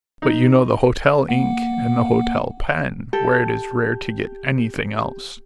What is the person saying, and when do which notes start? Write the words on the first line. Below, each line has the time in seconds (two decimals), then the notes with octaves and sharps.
But you know the hotel ink and the hotel pen, where it is rare to get anything else.
0.22 D#4
1.29 A#3 F#5
3.13 G4 A4